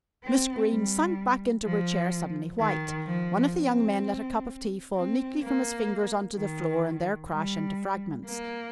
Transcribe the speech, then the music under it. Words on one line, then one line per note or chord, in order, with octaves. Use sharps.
Miss Greene sank back into her chair, suddenly white. One of the young men let a cup of tea fall neatly from his fingers on to the floor and there crash into fragments.
C4
G3
F3
D#3
F3
C4
C4
A#3
D#3
G3
A#3